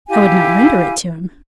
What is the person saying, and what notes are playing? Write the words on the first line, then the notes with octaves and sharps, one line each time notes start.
"I would not render it to him."
E4 G4 F5 G#5